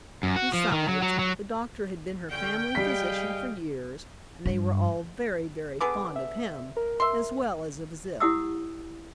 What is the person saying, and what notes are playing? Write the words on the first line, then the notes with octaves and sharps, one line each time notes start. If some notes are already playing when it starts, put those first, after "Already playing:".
Besides, the doctor had been her family physician for years, and they were all very, very fond of him as well as of Zip.
F#2
F#4
F3
D#3
F#3
F#3
F#3
D3 C#4 G5
G3 G#4 D#5 F5 B6
G2
D3 B3 G#4 D6
E5
A#4
E5 C6
E4 G4 F#5 D#6 E6